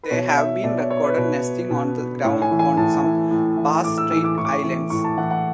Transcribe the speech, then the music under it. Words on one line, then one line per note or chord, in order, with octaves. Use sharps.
They have been recorded nesting on the ground on some Bass Strait Islands.
B4
B2 C#5
E5
B2 D5
C#5
C#5
B4
B2
B2
A2 C#5
G#5
E3
G#5
A2 A5
E3
A2
E3
A2 D6
E6
E3 E6
D6
A2 C#6
D6
C#6
E3
A2 C#6
A5
E3 F#5
F#5